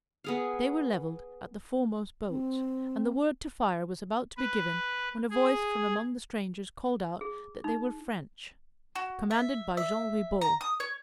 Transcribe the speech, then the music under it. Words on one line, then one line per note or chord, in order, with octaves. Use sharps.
They were levelled at the foremost boats, and the word to fire was about to be given, when a voice from among the strangers called out that they were French, commanded by Jean Ribaut.
B3 G#4 F5
C4
B4
G#4
G#4
D#4
F#4
E5
E5
A#5
D#6
C#5